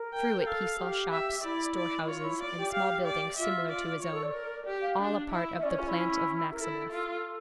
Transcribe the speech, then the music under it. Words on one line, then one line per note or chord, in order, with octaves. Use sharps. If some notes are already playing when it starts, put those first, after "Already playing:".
Through it he saw shops, store-houses, and small buildings similar to his own, all a part of the plant of Maxineff.
Already playing: A#4
G5
A#4
A4 F5
G4
E5
E4 D5
D5
E4
F4 C#5
E4
F4 D5
G4
G4 F5
D5
F4 E5
D5
C#5
A4
D5
A#4
G4
F5
D4
E4
E5
C#4 D5
C#5
F4
E4
A#4
E4 A4
F4